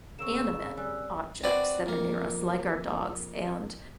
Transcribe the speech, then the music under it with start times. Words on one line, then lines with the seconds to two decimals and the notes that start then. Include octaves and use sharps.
animate objects that are near us like our dogs, and
0.19 C#3 A#3 C4 C#6 E6 E7
0.77 G3 G#5 E6 F#6
1.44 C4 D4 F#4 B4 D5
1.86 F2 A#3